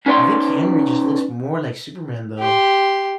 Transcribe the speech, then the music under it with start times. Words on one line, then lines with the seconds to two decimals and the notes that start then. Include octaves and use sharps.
I think Henry just looks more like Superman, though.
0.06 C#4 D#4 B4 C#5 D5 C6
2.39 G4 C6